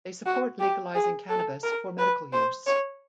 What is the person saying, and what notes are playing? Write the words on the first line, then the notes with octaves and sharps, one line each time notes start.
They support legalising cannabis for medical use.
F#4
G4
G#4
A4
A#4
B4
C5
C#5